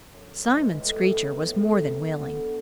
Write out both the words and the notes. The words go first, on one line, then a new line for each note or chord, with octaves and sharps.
Simon Screecher was more than willing.
F#2
E3 G#3
A2
F#3 B3
A2
F#3 B3
D3